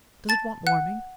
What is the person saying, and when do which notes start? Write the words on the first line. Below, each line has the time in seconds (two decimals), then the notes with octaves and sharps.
Does it want warming?
0.29 A5 A6
0.67 F#5 F#6